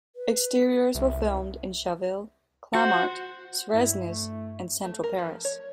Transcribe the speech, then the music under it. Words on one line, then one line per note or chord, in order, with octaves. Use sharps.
Exteriors were filmed in Chaville, Clamart, Suresnes, and central Paris.
B4
C2 E5
F#4 C5
G2 E4 E5
A3
A3
A#4
F3
C#5